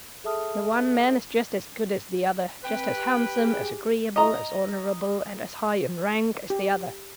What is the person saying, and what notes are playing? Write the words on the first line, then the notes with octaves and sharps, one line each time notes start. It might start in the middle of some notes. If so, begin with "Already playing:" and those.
The one man is just as good as the other; just as handsome, as agreeable, as honorable, and as high in rank as the other.
G#4 A4 E5 A5 D#6 F6
C4 B4 G5
G4
G#4
D#5 A#5
G4